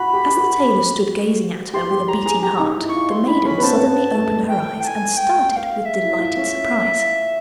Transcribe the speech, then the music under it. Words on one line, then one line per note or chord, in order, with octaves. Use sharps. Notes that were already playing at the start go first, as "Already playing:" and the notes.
As the tailor stood gazing at her with a beating heart, the maiden suddenly opened her eyes, and started with delighted surprise.
Already playing: F#4 B5
G4
G4
F#4
G4 C6
G4
G4 A#5
G#4
G4 A#5
D#4
E4
C#6
F4
E4 C6
D#4 B5
C#4 B5
B3
C4 A5
C4
B3
A3
G5
A5
G#5
G5
G5
F5
E5
E4
F4
C#4